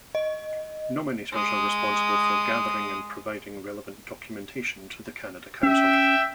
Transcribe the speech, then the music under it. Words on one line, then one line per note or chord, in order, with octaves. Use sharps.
Nominators are responsible for gathering and providing relevant documentation to the Canada Council.
D#5
G#3 D#6
C#4 E5 G5